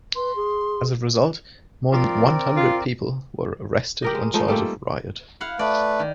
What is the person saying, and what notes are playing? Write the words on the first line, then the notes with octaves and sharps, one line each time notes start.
As a result, more than one hundred people were arrested on charge of riot.
B4 C6
G#4
F3 C4 A#4 D5
F4
G4 A#4 D#5
G#3
F3 G#3 A3 D#4
G3 A3 A#3 C4
E4 F5 F#5
A3 B4 D5
D#3